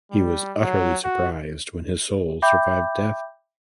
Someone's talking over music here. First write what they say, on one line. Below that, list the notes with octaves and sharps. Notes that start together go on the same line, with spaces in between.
He was utterly surprised when his soul survived death.
G3
F#3
F#4
E5 G5 B5 D6 G6